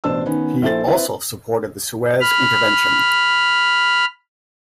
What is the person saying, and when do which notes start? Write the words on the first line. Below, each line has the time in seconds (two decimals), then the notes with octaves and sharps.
He also supported the Suez intervention.
0.04 A1 B2 D4 C5 A5 E6
0.25 D#3 B3 C#4 D#4
0.62 A#1 E4 A4 C5 A6
0.86 C4 E4 B4
2.21 B5 F6